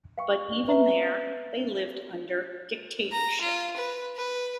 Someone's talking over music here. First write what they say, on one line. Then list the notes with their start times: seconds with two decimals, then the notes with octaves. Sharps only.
But even there, they lived under dictatorship.
0.18 F5 G5 C#6
0.68 B4 E5 A#5
3.12 A#5
3.41 F4
3.77 B4
4.16 B4